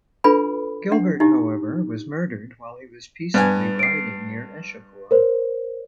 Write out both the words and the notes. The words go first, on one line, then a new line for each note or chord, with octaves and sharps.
Gilbert however was murdered while he was peaceably riding near Eschafour.
D4 F4 A4 B4 G#5 B5
D4 F#5
D#4 E4 G4
G2 B3 G#5
C7 D7
A#4 C5 C#5